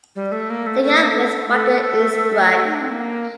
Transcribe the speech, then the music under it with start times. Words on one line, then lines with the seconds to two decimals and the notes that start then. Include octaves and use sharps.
Liga with Wacker Innsbruck.
0.16 G3
0.32 A3
0.50 A#3
0.66 A3
0.84 A3
0.98 A#3
1.12 A3
1.49 A#3
1.52 A3
2.66 D#4
2.74 D4
2.82 C4
2.90 A#3